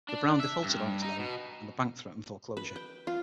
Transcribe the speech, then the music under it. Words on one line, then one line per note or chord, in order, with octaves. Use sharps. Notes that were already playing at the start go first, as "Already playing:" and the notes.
The Brown defaulted on its loan, and the bank threatened foreclosure.
D4
E5
G2
D#4
B2
B4
G5
F4